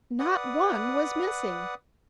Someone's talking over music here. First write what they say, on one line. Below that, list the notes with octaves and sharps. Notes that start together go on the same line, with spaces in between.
Not one was missing.
B4 D5 F#5 D#6